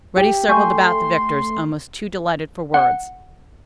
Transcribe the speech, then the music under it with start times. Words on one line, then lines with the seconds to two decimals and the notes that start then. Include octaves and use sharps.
Reddy circled about the victors almost too delighted for words.
0.16 G4
0.49 A3 G#5 C6 C#6 G6
2.74 F#5